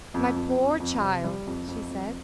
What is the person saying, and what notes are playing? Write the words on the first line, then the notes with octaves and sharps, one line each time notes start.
"My poor child!" she said.
F2
F2
F2
F2
C3
G3
F2
F2
F2